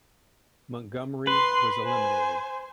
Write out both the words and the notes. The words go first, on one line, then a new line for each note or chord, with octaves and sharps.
Montgomerie was eliminated.
B4 C6
C5 G#5